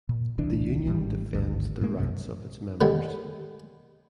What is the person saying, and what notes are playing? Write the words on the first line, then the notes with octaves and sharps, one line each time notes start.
The union defends the rights of its members.
A#2
D#1 C2 E3 D4
G#1 A2 G3
G#1 D2
A2 G#3 A#3
B1 F#2 C3
A2 D3 D#3 G3 G#3